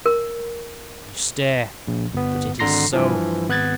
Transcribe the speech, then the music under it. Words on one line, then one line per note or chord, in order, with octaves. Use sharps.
You stare. But it is so.
A#4
A#1
G1 B3
G#1 D3 A#5 C6 A#6 C7
G2 E3 F3
G#1 B3 F#6 G#6 A6